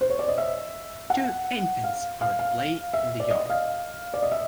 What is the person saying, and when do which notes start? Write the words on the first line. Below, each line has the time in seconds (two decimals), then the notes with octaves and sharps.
Two infants are at play in the yard.
0.01 C5
0.10 C#5
0.19 D5
0.28 D#5
0.38 E5
1.10 F#5
1.84 F5
2.21 F5
2.39 F5
2.93 E5
3.20 D5
3.30 D#5
3.50 F5
4.14 D5
4.23 D#5
4.32 E5